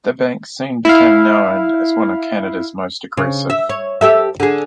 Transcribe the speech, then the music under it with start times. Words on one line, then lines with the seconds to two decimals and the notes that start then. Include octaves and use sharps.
The bank soon became known as one of Canada's most aggressive.
0.85 E4 F5
3.17 C#3
3.50 E5
3.69 C#5
4.01 G4 A4 E5
4.40 D3 G#4